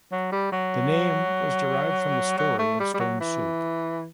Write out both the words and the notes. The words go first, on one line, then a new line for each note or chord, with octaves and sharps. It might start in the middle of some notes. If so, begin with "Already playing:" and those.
The name was derived from the story of stone soup.
F#3
G3
F#3
F#3
A3
G3
G3
F#3
E3